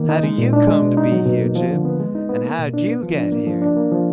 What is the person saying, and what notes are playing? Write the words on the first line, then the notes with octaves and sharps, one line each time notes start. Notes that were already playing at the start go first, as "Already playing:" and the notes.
"How do you come to be here, Jim, and how'd you get here?"
Already playing: D#3 A#3
D#4
G#3
A#2
D4
G#3
B2
D#4
F#3
B2
A#3
F3
D3
B3
G#3
D#4
B3
A#3
B2
D4
B3
F3
D4
A#3
F3
D4
A#3
F3